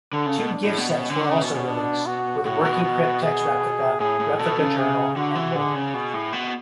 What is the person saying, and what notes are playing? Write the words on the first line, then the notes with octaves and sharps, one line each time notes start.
Two gift sets were also released, with working cryptex replica, replica journal, and more.
D3 A4
C#3
B2
D4
A2
B2
B2 C#4
D3
C#3
B2
B2
D4
F#4
A2 F#4
B2
B2
B2
G#4
A2 G#4
A2
B2 A4
C#3
G#4
D3 F#4
E3
D3 G#4
C#3
B2
A2
B2